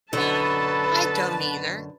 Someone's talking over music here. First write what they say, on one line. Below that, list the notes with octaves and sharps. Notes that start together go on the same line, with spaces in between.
I don't either.
F#2 B2 D3 B3 A4 B4 A5